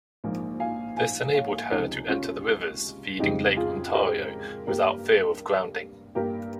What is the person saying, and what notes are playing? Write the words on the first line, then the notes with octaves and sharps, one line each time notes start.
This enabled her to enter the rivers feeding Lake Ontario without fear of grounding.
A#1 G#2 F3 A#3
F5 G#5
F5 G#5
C#5 F5
C#2 C3 F3 G#3 D#4 G4
C#4 F4
F2 C#3 G#3 D#4 G4
F4 G#4
G4 A#4
G2 G3 A#3 G4 A#4
G2 G3 A#3 G4 A#4